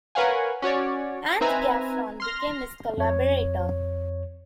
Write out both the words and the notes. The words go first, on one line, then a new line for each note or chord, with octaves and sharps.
Hans Gaffron became his collaborator.
A#4 B4 C#5 F5 F#5 G#5
C#4 F#4 C#5 D5
C4 D#4 B4 E5 G#5 A#5
C6 F6 A#6
F2 C#5